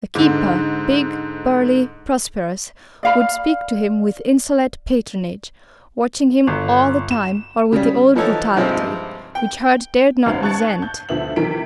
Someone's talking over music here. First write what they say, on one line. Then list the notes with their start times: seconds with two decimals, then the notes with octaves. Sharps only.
The keeper--big, burly, prosperous--would speak to him with insolent patronage, watching him all the time, or with the old brutality, which Hurd dared not resent.
0.15 G#2 D3
3.03 D5 F5 B5
6.47 G1
7.11 E7
7.72 C#3 G3
8.15 E3 F3 B3 D#4 A4 C#5
8.56 G2 C3 F3 G#3 C4 D#4
9.35 G5
10.26 G#1 F#2 B3 C#4 F5
10.42 A5 C#6 F#6 G#6 A6 C#7
10.82 G6
11.09 D2 F3 B3 E5 F#7
11.36 C3 D#3 E3 A#4 B6 D7